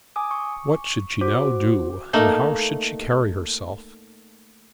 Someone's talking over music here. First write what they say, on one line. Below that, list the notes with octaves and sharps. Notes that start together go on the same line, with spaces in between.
What should she now do, and how should she carry herself?
G#5 D6 D#6
C#6
F#4 C5 D6
A3 A#3 D#4